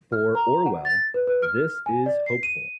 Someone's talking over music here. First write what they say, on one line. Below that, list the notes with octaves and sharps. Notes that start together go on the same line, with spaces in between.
For Orwell, this is hopeful.
F6
A#5
F#5
A6
B4
B4
F6
G#5
D5
C7
D#7